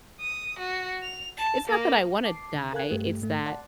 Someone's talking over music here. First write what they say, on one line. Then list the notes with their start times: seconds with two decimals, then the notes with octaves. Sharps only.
It's not that I wanna die it's that
0.21 D#6
0.59 F#4
1.03 F7
1.38 A5
1.68 A#3
2.24 A5 D6 C7
2.55 D3
2.73 A4 A#4 F5 G#5 F#6 G#6
2.90 G2 A3 G4
3.22 G#2 A3
3.46 D5 F#5 A5 C6